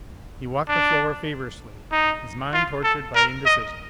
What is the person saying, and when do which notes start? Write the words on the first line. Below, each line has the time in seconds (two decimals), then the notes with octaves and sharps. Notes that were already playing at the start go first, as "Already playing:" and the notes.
He walked the floor feverishly, his mind tortured by indecision.
0.68 D4
1.92 D#4
2.53 F4
2.84 A4
3.15 A#4
3.45 D#5